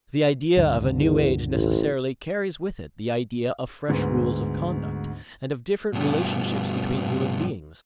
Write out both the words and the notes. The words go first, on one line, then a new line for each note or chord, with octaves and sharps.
The idea of a New Age necessarily carries with it the idea of fresh rules of conduct and of different relationships between human beings.
C#2 G2 D3
E2
A1
D2 G#2 B3
G2 B2